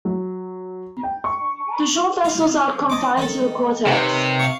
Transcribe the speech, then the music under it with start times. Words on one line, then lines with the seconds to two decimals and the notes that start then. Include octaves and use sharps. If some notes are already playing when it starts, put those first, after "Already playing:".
The short vessels are confined to the cortex.
0.05 F#3
1.03 G5
1.24 C#6
2.24 F4
2.90 D#5 D6
3.17 D#3 A4
3.87 C3 D#4 B4 C#5
4.39 F5 C#6